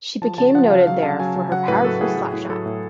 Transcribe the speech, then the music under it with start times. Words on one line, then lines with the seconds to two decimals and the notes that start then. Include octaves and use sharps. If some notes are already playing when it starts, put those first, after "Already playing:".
She became noted there for her powerful slapshot.
0.22 F3 A5
0.38 C#3 A5
0.54 F3 F#5
0.70 C#3 F5
0.87 F#3 F5
1.03 C#3 A5
1.20 F#3 G#5
1.36 C#3
1.52 F#3 F#5
1.68 A2 B4
1.84 F#3 A4
2.01 A2 G#4
2.17 F#3
2.34 A2
2.50 F#3 A4
2.66 A2